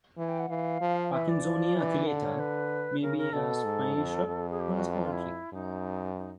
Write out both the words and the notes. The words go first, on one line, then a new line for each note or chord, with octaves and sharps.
"Parkinsonia aculeata" may be a spiny shrub or a small tree.
E3 G#5
G5
F#5
E3 F5
F3
E3 E5
D5
F3
E3
D3
C#5
B4
C#3 A#4
A#4
B2 A4
G#2
F2
F2
G#4
G4
F#4
F4
F4
E4
F#2 D#4
D#4